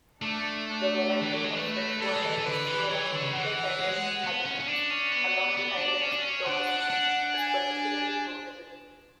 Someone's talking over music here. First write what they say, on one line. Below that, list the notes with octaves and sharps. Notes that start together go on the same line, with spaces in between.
The variety of freshwater estuarine intertidal habitats along the island's shores is particularly notable.
A3 D4
D4
E3
F#3
G#3
A3 B4
G#3 A4
F#3
G#3
E3
E3
D3 B4
E3
F#3 C#5
E3
D3
C#3
E3 F#5
G#3
B3
C#4
C#4
D4 D5
C#4
B3
B3
D4
C#4
D4
C#4
D4 F#5
D4
G#5